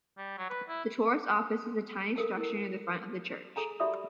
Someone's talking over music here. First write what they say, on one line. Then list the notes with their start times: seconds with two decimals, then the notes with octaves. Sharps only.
The tourist office is a tiny structure near the front of the church.
0.18 G3
0.38 F#3
0.50 B4
0.69 E4
2.16 A4 A#4 A5
2.37 E4 A#4
3.56 G#4 A4 G#5 A#5
3.80 F#4 G4 D5 E5 B5 D#6